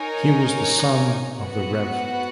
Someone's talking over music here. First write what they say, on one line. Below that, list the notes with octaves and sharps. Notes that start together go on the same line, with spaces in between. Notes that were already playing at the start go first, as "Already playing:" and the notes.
He was the son of the Rev.
Already playing: D#4 A#4 C#5 G#5
B3 F#4 B4 F#5